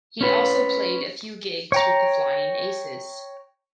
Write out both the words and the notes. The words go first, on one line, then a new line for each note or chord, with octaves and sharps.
He also played a few gigs with the Flying Aces.
C#4 B4
C#5 G5 A#5